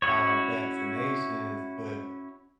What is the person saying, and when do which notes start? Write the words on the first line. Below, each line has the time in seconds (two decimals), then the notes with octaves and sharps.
uh, vaccinations, but
0.02 C#4 E4 F#4 C#5